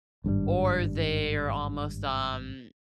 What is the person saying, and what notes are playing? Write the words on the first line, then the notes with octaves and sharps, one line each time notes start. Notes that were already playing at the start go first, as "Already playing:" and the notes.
or they are almost, um
G#1 G2 C3 G3